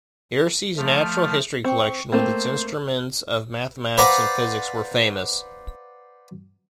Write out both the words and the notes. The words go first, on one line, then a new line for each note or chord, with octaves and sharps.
Irsee's natural history collection with its instruments of mathematics and physics were famous.
F3 A3 F6
C4 C#6
A3 A#3 C4 C5
B4 C5 D5 F5 F#5 A#5